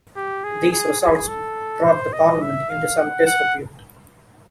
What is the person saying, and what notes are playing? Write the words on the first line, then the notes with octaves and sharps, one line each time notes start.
These results brought the parliament into some disrepute.
G4
G#4
G#4
G#4
A4
C5
D#5
E5
F5
F#5
F#5